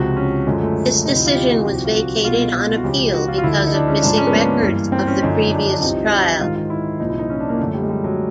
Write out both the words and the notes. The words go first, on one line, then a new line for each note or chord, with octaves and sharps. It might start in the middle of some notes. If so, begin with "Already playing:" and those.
This decision was vacated on appeal because of missing records of the previous trial.
Already playing: C#2 C3 F3 F#4
C#4
F#2 D3 F3 G#3
A3
D2 C3 F3 D#4
E4
F4
G4
F#4
C2 C3 F3 G4
F#4
F4
F#4
C2 B2 F4
F#4
C#2 C#3 F3 G4
F#4
F4
F4
D2 D3 F3 E4
D#4
D4
C#4
G#2 F3 D4
C#4
B3
A#3
G2 E3
C4
C#4
F#2 D3 F3 D#4
D4
D4
D4
C2 C3 F3 D#4
G#2 D#3 F4
F4
E4
C2 A#2 F3 D#4
E4
D#4
C#4
D4
A#3
F#2 D3 F3 A3
G3
G#3
G3
F#3